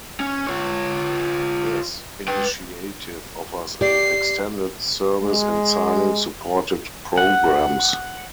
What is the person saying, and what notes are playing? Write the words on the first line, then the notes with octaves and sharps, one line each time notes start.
This initiative offers an extended service in signing supported programmes.
C#4
F4 C#5
B4 G5
G4 D5 C7
G#3
F#5